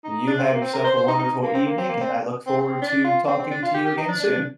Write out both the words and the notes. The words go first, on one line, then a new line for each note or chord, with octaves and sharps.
You have yourself a wonderful evening, and I look forward to talking to you again soon.
D#4
D4
C4
A#3
C4
A#4
C5
C5
D#4
D#4
A#3
C4
A#3
C4
A#3
C4
C4
C4
D4
F4
C4
C4
D4
F4
G4
G4
D#4
D4
D4
D4